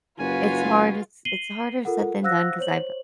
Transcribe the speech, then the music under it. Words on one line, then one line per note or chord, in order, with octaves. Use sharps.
it's hard it's it's harder said than done 'cause I've
F#1 F4 F#4 B4 G#5
C7 D#7 F#7 G7
F4 A4 A#4 F#5
C5 F5 F#5 E6 F#6 A#6
C5 C#5 F#7